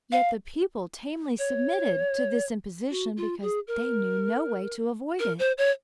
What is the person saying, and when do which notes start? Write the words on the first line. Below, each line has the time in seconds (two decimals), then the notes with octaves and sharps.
Yet the people tamely submitted to this imposition because they knew no way to avoid it.
0.12 F5
1.39 C#5
2.91 F#4
3.17 F4
3.42 G#4
3.67 A#4
5.19 A#4
5.39 C5
5.58 C#5